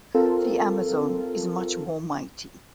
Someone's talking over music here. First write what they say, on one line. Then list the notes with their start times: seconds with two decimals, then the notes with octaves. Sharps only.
The Amazon is much more mighty.
0.14 C4 F4 A4 A#4